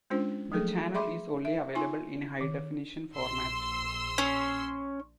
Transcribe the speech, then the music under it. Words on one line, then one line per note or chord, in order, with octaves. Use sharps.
The channel is only available in high-definition format.
G#3 C#4 D4 F4 C5
F3 F#3 A3 G#4 A4
G#4 E5 B5 C6 D6
E5
D#4 F4 G#5 C6
D#3
A#1 C6 E6
C#4